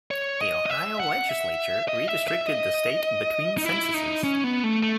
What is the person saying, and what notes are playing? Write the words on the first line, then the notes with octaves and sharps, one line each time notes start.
The Ohio Legislature redistricted the state between censuses.
C#5
D#5
D#5
E5
F#5
E5
D#5
E5
E5
D#5
D#4
E4
D#4
C#4
B3
A3
A3